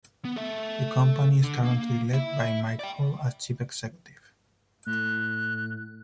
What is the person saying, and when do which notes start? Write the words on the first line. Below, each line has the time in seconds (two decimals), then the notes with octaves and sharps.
The company is currently led by Mike Hall as Chief Executive.
0.25 B3
0.36 A4 E5
1.44 D3
1.63 A#3
2.14 E4 E5
2.79 D5 G5
4.86 A2 F#6